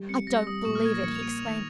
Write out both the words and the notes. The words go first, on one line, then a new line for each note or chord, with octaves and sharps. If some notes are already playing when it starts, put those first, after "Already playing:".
'I don't believe it,' he exclaimed.
Already playing: G3
C4 C#7
G3 A#6
G3 D#6
A#2 C#6
F6
A#3 G#6
A#6
A#1 C#7
F7
A#3 D#7
D#3 F7